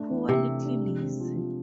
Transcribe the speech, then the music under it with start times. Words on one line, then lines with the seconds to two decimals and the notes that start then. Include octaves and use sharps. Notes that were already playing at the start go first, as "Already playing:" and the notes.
Poor little Lizzy!
Already playing: A3 D4
0.11 E3
0.29 C3 G4
0.47 A3
0.65 D4
0.84 G#3
1.02 C4
1.20 F3
1.38 F4